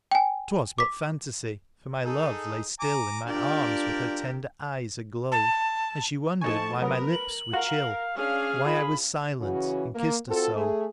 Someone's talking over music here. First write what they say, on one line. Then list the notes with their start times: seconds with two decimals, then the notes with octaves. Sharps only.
'Twas but fantasy, for my love lay still In my arms with her tender eyes aglow, And she wondered why my lips were chill, Why I was silent and kissed her so.
0.12 G5 G#5
0.78 D6 B6
2.05 D#4 G#4 A4
2.80 G#5 A#5 D6
3.27 D4 F4 G4 A#4 D5
5.31 A5
6.41 F3 A3 D#4 G#5 A5 C#6
6.82 F#3 B3 A#4 B4 D#6
7.13 F#7
7.53 F4 F#4 A#4 F5
8.17 C#4 D4 G#4 F5 F6
8.66 F4 B5
9.40 C#3 E3 C#4 F#4
9.94 A#3
10.27 C4 F4 F#4 A4
10.55 A3 G#4